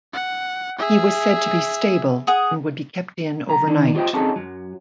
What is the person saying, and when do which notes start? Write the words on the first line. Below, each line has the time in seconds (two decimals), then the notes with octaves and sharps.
He was said to be 'stable' and would be kept in overnight.
0.13 F#5
0.78 G#4 E5
2.27 G#4 F#5 D#6
3.47 B1 A#5
3.67 D#3 D4 D#4
3.95 F4 G4 C5 D#5 G5
4.13 C4 C#4 D#4 F#4 G#4 A4
4.36 F#2 F#3